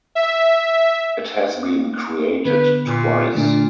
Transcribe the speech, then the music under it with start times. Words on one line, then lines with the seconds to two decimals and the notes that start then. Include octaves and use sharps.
It has been created twice.
0.15 E5
2.45 D3 B3 B4
2.86 A#2
3.35 A#2 D3 A3 D4